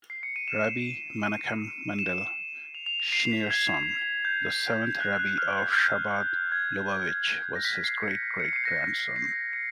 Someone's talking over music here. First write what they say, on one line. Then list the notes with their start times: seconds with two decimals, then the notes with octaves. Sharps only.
Rabbi Menachem Mendel Schneerson, the seventh Rebbe of Chabad-Lubavitch, was his great-great-grandson.
0.10 C7
0.23 C#7
0.36 D#7
0.48 E7
1.24 D#7
1.99 E7
2.75 F7
2.86 F7
3.00 F7
3.12 C7
3.32 B6
3.50 G#6
4.25 G6
5.01 F#6
5.19 F#6
5.38 F6
5.57 G6
5.76 G6
6.52 G#6
7.56 A#6
7.65 B6
7.84 C7
8.03 C#7
8.40 C#7
8.53 C7
8.65 A#6
9.16 C7
9.53 C#7